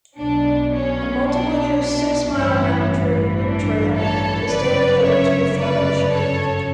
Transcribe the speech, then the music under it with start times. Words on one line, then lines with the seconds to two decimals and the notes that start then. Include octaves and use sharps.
A multiple-use, six-mile round trip loop trail is dedicated to the formation.
0.19 B1 B2 D4
0.73 C#4
1.27 D4
1.81 D4
2.34 A1 G2 E3 C#4 E4
3.41 D4
3.96 A4 C#5
4.49 G1 F#2 C#3 B4 D5
5.03 C#5 E5
5.56 B4 D5
6.10 A4 C#5